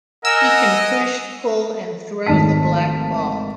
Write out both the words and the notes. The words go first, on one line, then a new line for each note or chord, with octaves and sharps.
He can push, pull, and throw the black ball.
A#4 D#5 F#5 G#5 E6
G#1 D#3 A3 A5 B6